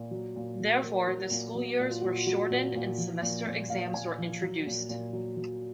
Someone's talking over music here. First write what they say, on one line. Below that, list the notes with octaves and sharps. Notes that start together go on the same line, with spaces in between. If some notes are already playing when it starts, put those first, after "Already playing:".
Therefore, the school years were shortened and semester exams were introduced.
Already playing: A#2
F#3
A#2
F#3
F#3 A#4
F#3
F#4
A#2
F#3 F#4
A#2
F4
A#2 F#4
F4
F#3 F#4
A#2
A#2
F3
A#2
A#2
A#2 F5
A#2 G#5
F3
F#3
A#2
A#2
F#3
F#3